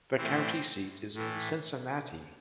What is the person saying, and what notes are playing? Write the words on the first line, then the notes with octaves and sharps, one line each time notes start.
The county seat is Cincinnati.
A2 E3 C4
A2 E3